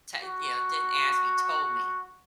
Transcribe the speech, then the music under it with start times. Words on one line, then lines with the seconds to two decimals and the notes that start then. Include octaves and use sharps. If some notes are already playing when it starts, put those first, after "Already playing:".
To you know, didn't ask me, told me.
0.24 F#4